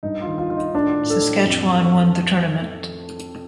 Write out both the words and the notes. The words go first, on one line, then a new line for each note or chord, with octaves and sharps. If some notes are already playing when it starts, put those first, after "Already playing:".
Saskatchewan won the tournament.
G2 D#4
F4
D#3
F4
D#3 F4
D#4
A2 D4
A2
A4
A2
F2